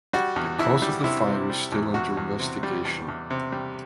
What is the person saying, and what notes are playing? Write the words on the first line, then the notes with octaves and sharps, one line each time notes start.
The cause of the fire is still under investigation.
G3 F#4
E2
E2 E4
G3
C3 E4
C3
G3
E2
E2 F#4
E2
C3
G3
E2
E2
C3
G3